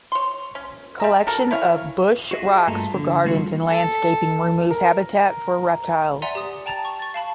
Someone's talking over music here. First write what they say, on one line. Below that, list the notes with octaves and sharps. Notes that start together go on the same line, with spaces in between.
Collection of bush rocks for gardens and landscaping removes habitat for reptiles.
C#5 C6
C#4
G3 E5 A#5
F#4 A4 A#4 A#5
E4 C#5 F5 G#5
F#4 G#4 D#5 E5
G2 A3 A#3 F4 A5 A#5
D3
G3 A#3 F4 F#4 A4
A4
A#4
D5 E5 F#5 G#5 A#5 C6
G4 D#6
G5 A5 A#5 A6
C#6
C#6 A6
F5 A5 B5